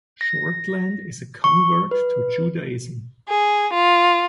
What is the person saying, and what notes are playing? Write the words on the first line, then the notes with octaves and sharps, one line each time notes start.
Shortland is a convert to Judaism.
A#6
C#6
B4
G#4
F4